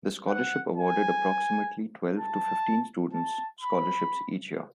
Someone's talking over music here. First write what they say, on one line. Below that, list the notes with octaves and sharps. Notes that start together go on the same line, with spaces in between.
The scholarship awarded approximately twelve to fifteen students scholarships each year.
F#5
G#5
A5
A5
B5